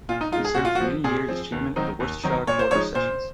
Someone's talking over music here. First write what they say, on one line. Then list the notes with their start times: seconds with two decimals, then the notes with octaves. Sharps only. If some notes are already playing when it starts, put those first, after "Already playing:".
He served for many years as chairman of the Worcestershire Quarter Sessions.
0.09 A#2 F4
0.21 D#4
0.32 D#4 F4
0.35 G#3
0.45 G#4
0.54 A#2 F#4
0.65 F4
0.75 F#4
0.80 F3 C4
1.04 A#2 G#4
1.28 F3 C4
1.52 D#2
1.76 D#3 F#3 C4 D#4
2.00 D#2
2.24 D#3 F#3 C4 D#4
2.47 A#2 C#5
2.59 C5
2.71 F3 G#3 D#4 C#5
2.95 A#2 C5